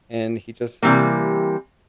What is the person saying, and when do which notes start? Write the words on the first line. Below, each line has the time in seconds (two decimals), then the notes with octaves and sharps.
and he just
0.82 C3 E3 G3 A#3